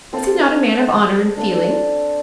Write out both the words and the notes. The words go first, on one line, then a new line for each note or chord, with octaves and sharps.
Is he not a man of honour and feeling?
C4 A4 F5
D4 A4 C5 F5